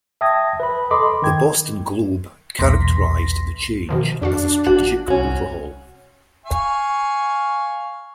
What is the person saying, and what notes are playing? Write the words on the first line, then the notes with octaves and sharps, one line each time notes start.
The Boston Globe characterized the change as a strategic overhaul.
E5 G5 A5 D#6 G#6 A#6
B4 B5
A4 D#5 B5 C6 D6
D#3 D#4 G5 G#6
B1 E2 A#2 C6 A#6 B6
B2 D#3 F3
F2 D4 F#4 F5
A1 F#4
C2 C#4 F#4
F5 G#5 C#6